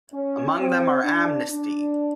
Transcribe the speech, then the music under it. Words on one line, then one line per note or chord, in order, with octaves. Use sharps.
Among them are Amnesty!
C#4
C4
D4
D4